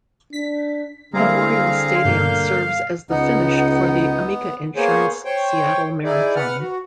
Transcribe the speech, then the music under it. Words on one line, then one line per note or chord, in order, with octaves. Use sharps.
Memorial Stadium serves as the finish for the Amica Insurance Seattle Marathon.
D4 B6
D3 G3 A#3 C4 E4 G#4 F5 A#5
G2 B2 A#3 G6
C#2 B3 D#4 F#5
A#3 B3 G#4 C5 C#5
C5 C#5 G5
D#4 E4 G#4 D5
B4 F#5 F6
F#4